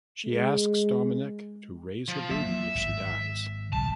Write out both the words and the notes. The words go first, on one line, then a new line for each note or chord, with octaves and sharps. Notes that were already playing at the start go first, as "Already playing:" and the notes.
She asks Dominick to raise her baby if she dies.
G#3
F3
F#3 A#3 E5
G#1
F#1 B1 E2 A5